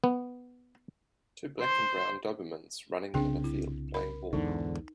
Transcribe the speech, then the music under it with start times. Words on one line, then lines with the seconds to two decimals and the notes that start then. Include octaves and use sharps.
Two black and brown dobermans running in a field playing ball.
0.04 B3
1.61 C5
3.14 C2 C#3 C4 D4 G#4 G5
3.44 E4
3.94 A#4 B5
4.33 E2 G#2 D3 D#4